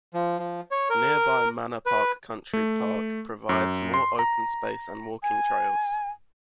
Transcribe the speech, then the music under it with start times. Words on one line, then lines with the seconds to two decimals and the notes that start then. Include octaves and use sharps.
Nearby Manor Park Country Park provides more open space and walking trails.
0.14 F3
0.39 F3
0.71 C#5
0.90 A#4
1.86 B4
2.53 A3
3.49 F#2
3.94 C6
4.19 A#5
5.23 G#5